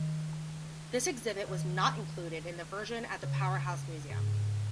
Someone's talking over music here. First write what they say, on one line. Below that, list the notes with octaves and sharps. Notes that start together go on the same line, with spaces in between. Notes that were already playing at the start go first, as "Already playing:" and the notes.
This exhibit was not included in the version at the Powerhouse Museum.
Already playing: D#3
D#3
C#3
G#2